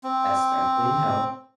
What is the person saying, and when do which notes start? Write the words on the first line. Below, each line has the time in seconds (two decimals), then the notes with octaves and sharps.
especially in health,
0.03 C4